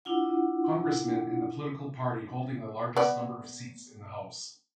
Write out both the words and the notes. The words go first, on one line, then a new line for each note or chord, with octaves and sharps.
Congressmen in the political party holding the largest number of seats in the House.
D4 E4 F4 F#5
B3 D5